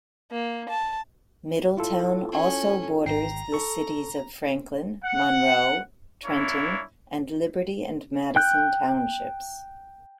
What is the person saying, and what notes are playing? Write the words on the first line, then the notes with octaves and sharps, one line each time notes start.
Middletown also borders the cities of Franklin, Monroe, Trenton, and Liberty and Madison Townships.
A#3
A5
E4 F4 A4
C#4
G#1 G5 A#5 C7
A4 C#6
F#5
A#3 D4 E4 C#5
G5 F#6 G6